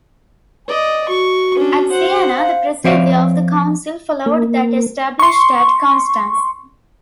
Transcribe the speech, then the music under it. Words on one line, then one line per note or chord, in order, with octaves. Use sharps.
At Siena, the procedure of the Council followed that established at Constance.
D5 D#5
F#4 C#6
C#4 D4
C5 F#5
F5
F3 C4 C#5 D5 E5 F5
A#3
C6 C#6